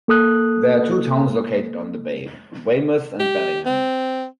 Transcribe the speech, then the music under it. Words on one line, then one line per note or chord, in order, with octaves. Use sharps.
There are two towns located on the bay: Weymouth and Bellingham.
A#3 A4 D#6 F#6
G4
C4